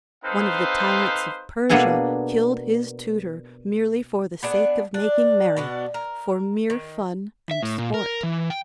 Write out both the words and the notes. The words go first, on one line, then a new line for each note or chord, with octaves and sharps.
One of the tyrants of Persia killed his tutor merely for the sake of making merry, for mere fun and sport.
C4 D#4 A4 B4 C5 F5
B2 A#3 B3 D4 G#4 A4
B3 D4 G#4
D4
B2 B3 D4
A#4
D#3
E5
A2
A#2
A#4
E3
G5